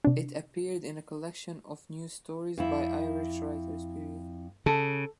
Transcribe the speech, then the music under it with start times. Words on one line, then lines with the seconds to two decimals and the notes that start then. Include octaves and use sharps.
It appeared in a collection of new stories by Irish writers.
0.05 C3 D4
2.58 F2 E4
4.66 C#3 A4